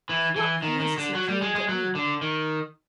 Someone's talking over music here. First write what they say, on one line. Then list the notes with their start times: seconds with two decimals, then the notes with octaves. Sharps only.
Of what use is a dream to any one?
0.09 E3
0.36 E3
0.63 D#3
0.80 D#3
0.98 D3
1.15 F#3
1.29 G3
1.42 G#3
1.55 G#3
1.69 F#3
1.95 D3
2.22 D#3